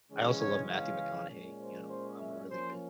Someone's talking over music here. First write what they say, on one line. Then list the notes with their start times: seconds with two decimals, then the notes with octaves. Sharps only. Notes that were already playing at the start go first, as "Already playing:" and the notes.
I also love Matthew McConaughey, you know, I'm a really big
0.09 C#3 E3 G#3 C#4
0.39 C#5
0.69 F5
1.30 A#2 G#3 C#4
1.59 C5
1.90 C5
2.20 E5
2.50 F3 A#3 C#4 C5